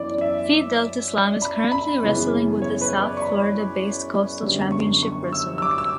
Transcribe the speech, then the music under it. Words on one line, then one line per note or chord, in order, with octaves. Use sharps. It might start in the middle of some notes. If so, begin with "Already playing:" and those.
Phi Delta Slam is currently wrestling with the South Florida-based Coastal Championship Wrestling.
Already playing: F#2 E3 B3 E4 D5
E5
B5
B5
F#2 C#3 E3 B3
C#5
B4
D5
C#6
B5
F#2 D3 G3 B3
C#6
C#6
E6
E6
D6
E6